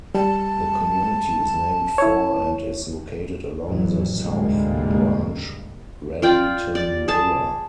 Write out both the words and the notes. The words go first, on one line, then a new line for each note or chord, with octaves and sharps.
The community is named for and is located along the South Branch Raritan River.
G3 A5
E4 C#5
A1 F2 E3 F#3
D2 G#2 C3 G3 G#3 A#3
F4 D5 G5
D5
G#4 A5